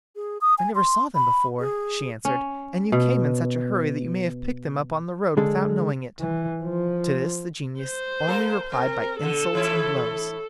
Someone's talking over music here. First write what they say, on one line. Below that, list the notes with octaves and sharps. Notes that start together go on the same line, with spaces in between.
"I never saw them before," she answered, "and you came in such a hurry that you may have picked them up on the road without knowing it." To this the genius only replied by insults and blows.
G#4
D#6
G#5
C6
B5
G#4
C#4
B2
D3 G#3 G#4 A4
E3
F3
C5
A#3 A4 A#4
C4 A#4
B2 D3 A4
A2 E3 E4